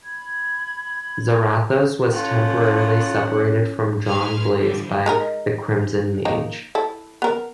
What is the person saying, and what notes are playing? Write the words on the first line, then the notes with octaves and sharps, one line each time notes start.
Zarathos was temporarily separated from John Blaze by the Crimson Mage.
B5 G#6
A2 C#4 F4 F#5
G#3 B4 C5 F6 G#6
D3 E3 F3 G3
G#3 D#4 A#4
D#3 A#3 D#4
E4 A4
B3 A#4